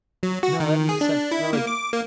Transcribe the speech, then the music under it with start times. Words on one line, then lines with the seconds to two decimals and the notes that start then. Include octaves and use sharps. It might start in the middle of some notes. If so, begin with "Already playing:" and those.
No, that makes sense, 'cause I like
0.23 F#3
0.43 F#4
0.60 D#3
0.89 G#4
1.01 D4
1.31 E4
1.53 A#3
1.67 D6
1.93 A#3